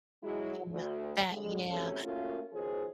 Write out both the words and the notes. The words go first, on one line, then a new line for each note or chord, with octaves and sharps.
Yeah, that yeah.
F#3 G#3 E4
D2
F2 D3 G3 G#3
E2 C3 F#3 A3 C#4 A4
A3 A#3 C#4 F4 F#4 A#4
B2 D#3 F3 G#4 C5 C#5